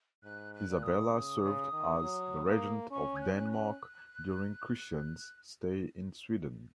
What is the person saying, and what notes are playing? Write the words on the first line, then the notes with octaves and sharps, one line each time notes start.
Isabella served as the regent of Denmark during Christian's stay in Sweden.
G#2 F#6
F#6
A#2
D#6
C#3
C#3
D#3
F#3
A#3
C#4 C#6
G#6
F#6
C#4
F#6